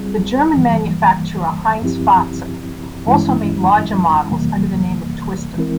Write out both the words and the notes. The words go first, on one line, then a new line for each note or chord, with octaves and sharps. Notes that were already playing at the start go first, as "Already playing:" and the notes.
The German manufacturer Heintz-Fahtze also made larger models under the name of Twister.
Already playing: G3 C4 F4 G#4
G2 E3 G3 A#3
G2 F3 C4 E4 G4
G2 E3 G#3 C#4 E4
F2 C3 E3 G3 A#3
E3 G#3 C4 E4 A#4